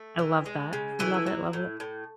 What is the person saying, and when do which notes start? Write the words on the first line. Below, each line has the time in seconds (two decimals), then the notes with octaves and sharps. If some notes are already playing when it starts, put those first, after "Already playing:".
I love that, love it, love it.
Already playing: A3
0.19 E3
0.46 G#3
0.73 C#3
0.99 E3 A3 E4
1.27 F#3
1.53 A2
1.80 A2